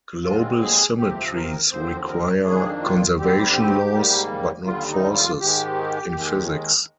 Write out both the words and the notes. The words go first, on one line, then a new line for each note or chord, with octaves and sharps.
Global symmetries require conservation laws, but not forces, in physics.
D#2 D3 G#3 C4 F4
G#4
D2 C3 F3 C4 G4
A#4
D#2 D3 F3 C4 C5
A#4
F2 D#3 A#3 D4 G#4
F4
D2 D3 G3 C4 G4
G#2 G3 A#3
D#2 D3 G3 F4
D#4
F4
G#2 D#3 G#3 G4
D#2 D#3 G#3